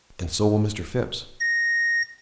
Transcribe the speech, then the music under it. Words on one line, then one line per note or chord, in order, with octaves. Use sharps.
"And so will Mr. Phipps."
A#6